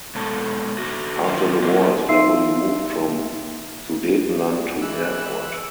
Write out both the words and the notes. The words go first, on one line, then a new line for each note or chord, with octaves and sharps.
After the war his family moved from Sudetenland to Erfurt.
G#2 B2 A4
A3 F#4
D#3 F#3 F4
F#3 A#3 F4 G4 C5
D#4 E5 F5 C6 E6 C7
E3 G#3 E6 F#6